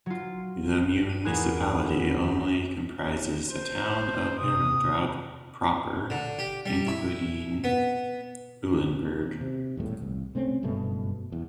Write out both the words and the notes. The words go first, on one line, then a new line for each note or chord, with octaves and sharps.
The municipality only comprises the town of Herenthout proper, including Uilenberg.
F#3 F4
D#7
E2 A#3 G#4 F#6
C5
C3 D#6
D3
G4
G3
E4
B3
C3
D#1 E2 A2
C2
C3 A3 C4 C#4
F#1 G2 B2 A3
E2